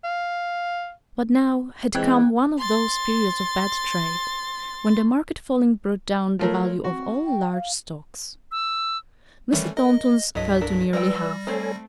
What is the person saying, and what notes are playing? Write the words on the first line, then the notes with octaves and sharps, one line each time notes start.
But now had come one of those periods of bad trade, when the market falling brought down the value of all large stocks; Mr. Thornton's fell to nearly half.
F5
E3 G#3 C4 G5 F#6 G#6
C6 A6
F3 A3 A#4 C#5
C4 F#4
G5
F5
E6
D#3 E3 G3 A3 C#4
A#4 D#5
C2 G2 F#3 A4 D#5 B6
D4 A4 A#4
E3 F3 G3 B4 D5 G5 E6 A#6
A3 C4 A4 C5 C#5 G#5